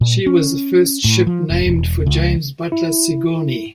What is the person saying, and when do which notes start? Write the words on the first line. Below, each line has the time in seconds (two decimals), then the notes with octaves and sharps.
She was the first ship named for James Butler Sigourney.
0.01 A#2
0.26 C#4
1.04 A2
1.27 F3
1.50 F1
1.66 E1
2.07 C#2
2.72 E4